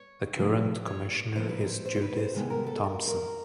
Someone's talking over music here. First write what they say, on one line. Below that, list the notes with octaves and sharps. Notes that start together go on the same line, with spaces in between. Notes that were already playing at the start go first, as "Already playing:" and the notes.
The current commissioner is Judith Thompson.
Already playing: C#5
C3 F3 A3
C#5
C#5
D3 F3 A#3 C5
B4
C5
C5
C5
B4
C5
C3 D#3 G#3 B3
A#4
A4
A#4
A#4